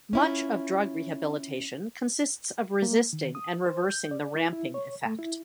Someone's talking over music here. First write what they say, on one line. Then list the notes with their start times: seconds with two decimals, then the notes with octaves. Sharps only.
Much of drug rehabilitation consists of resisting and reversing the ramping effect.
0.13 C#4 E4 F4
2.82 A#3
3.13 D#3
3.35 D#6
3.66 C5
3.89 G6
4.11 D5
4.35 E4
4.53 E4
4.74 C#5
5.05 A3
5.19 E4